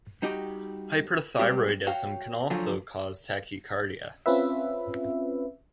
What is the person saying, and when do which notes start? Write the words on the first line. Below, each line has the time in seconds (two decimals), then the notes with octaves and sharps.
Hyperthyroidism can also cause tachycardia.
0.22 G3 D#4 F#4 G4
1.39 G3 G#3 B3 C4 F#4 G4
1.87 F#4 C#5 F5 G5
2.50 A#2 D3 F3 F#3 F4 C#5
4.26 C4 C#4 F4 B4 E5